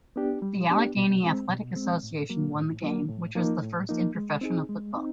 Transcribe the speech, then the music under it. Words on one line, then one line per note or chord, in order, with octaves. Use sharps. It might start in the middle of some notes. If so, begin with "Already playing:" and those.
The Allegheny Athletic Association won the game, which was the first in professional football.
B3 D4 G4
G3
B3 D4 G4
B2
G#3 C4
B2
G#3 C4
A2
F#3 A#3
A2
F#3 A#3
A2
F3 A#3 D#4
A2
F3 A#3 D#4
G#3
C4 D#4 G#4
G#3
C4 D#4